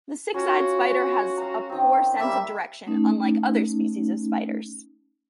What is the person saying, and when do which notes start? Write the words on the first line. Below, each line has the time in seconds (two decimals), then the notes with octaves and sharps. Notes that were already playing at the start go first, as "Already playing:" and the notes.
The six-eyed spider has a poor sense of direction, unlike other species of spiders.
0.34 C#4 F4 F#4 A#4
1.37 F5 A#5
1.69 D#3 C4
2.20 G3 A#3 E5
2.87 A3 C#4 D#4